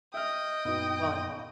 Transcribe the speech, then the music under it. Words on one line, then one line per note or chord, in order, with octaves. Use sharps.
while I walk.
D#5 E5 G5 D#6 F6
F#2 A#2 B3 D#4 F#4